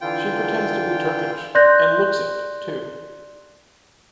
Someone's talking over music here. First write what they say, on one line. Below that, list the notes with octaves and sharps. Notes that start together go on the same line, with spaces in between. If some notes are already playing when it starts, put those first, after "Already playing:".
She pretends to be Turkish - and looks it, too.
D3 E3 F4 G5
D5 C6 F#6 G6 A#6